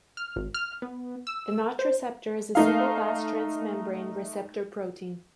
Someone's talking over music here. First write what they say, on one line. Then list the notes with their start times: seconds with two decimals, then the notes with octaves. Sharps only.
The notch receptor is a single-pass transmembrane receptor protein.
0.17 F6
0.36 G#1
0.54 F6
0.82 B3
1.27 E6
1.79 C5
2.55 A3 D#4 F5